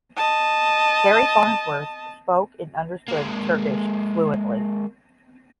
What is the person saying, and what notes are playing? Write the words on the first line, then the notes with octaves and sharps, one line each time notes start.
Carrie Farnsworth spoke and understood Turkish fluently.
D#5 A5
G#3 A#3